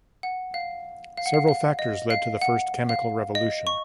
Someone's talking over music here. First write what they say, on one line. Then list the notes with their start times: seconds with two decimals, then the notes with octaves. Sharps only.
Several factors led to the first chemical revolution.
0.23 F#5
0.54 F5
1.17 F5
1.26 F#5
1.34 F5
1.49 F5
1.79 D#5
2.10 F5
2.42 F#5
2.89 F5
3.35 D#5
3.67 C#6